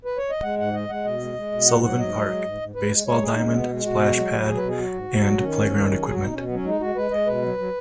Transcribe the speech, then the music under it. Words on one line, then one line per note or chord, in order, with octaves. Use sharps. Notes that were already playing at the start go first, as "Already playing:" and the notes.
Sullivan Park - Baseball diamond, splash pad, and playground equipment.
B4
C#5
D#5
G#3 F#5
G#2 F#5
G#3 D#5
G#3 F#5
B2 D#5
G#3
G#3
B2
G#2 F#5
F#3 F#5
G#2 D#5
F#3
G#3
G#2
G#2
G#2 B4
G#3
G#3 C#5
G#3 G#4
D#4
G#3 B3 C#4
C#4
B2 B3
G#3
B2 F#4
G#3
F#3
F#3
F#4
F#3 G#4
B4
B2
G#4
F#3 F#4
G#2
G#2
F#3
D#3 C#4
G#2
D#3
F#3
F#3 G#4
F#4
B2 D#4
B2 C#4
F#3 B3
C#4
G#3 D#4
G#3 F#4
G#3 B4
G#3 D#5
B2 B4
F#3
F#3